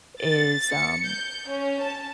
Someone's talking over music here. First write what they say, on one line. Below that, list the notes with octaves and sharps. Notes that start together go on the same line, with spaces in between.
is, um,
A6
C#7
G6
C#4
A5